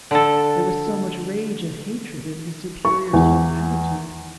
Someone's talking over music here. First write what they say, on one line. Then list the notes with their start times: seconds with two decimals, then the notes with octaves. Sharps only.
There was so much rage and hatred in his superior's whole attitude.
0.11 D3 A4
2.85 C#6
3.13 E2